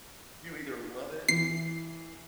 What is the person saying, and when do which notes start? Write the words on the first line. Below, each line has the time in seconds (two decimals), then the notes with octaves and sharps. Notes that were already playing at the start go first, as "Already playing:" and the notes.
you either love it,
1.29 E3 C7